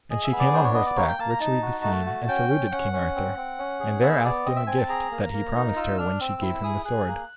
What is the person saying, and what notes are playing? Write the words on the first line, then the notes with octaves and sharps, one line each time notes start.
And she came on horseback, richly beseen, and saluted King Arthur, and there asked him a gift that he promised her when she gave him the sword.
G#4 D#5
E5
B3
D5
D4 C5
C#5
B3 D#5
D5
A#3 C#5
G5
A#3 A5
A#5
D#4 A5
F#4
A3
F#4
C#4 G5
C#4
C#4 F#5
C#4
C4
C4
C#4
G#4
B3 E5
B3 D5
C4 D#5
E5
C4 G#5
A5
G#4 A#5
A#3
A#3
D#4
F4 E6
D4 F6
C4 E6
E4
G#4 D#6
G#4 F#6
A#3